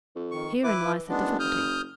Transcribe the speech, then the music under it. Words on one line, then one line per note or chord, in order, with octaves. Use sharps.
Herein lies the difficulty.
F2
D#3 C#6
E3 E4 B4 D6
F#1 G#3 B3 D4
D#6 F6 G6